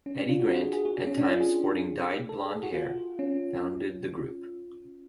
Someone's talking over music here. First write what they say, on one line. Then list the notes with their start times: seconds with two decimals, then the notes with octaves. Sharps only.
Eddy Grant, at times sporting dyed blond hair, founded the group.
0.06 C#4
0.18 D4
0.29 F4
0.40 F#4
0.51 F#4
0.62 G#4
0.73 G#4
0.85 F#4
1.07 C#4
1.17 D4
1.29 F4
1.40 G#4
2.29 A4
2.40 G#4
2.51 G#4
2.63 F#4
2.74 F4
3.19 C#4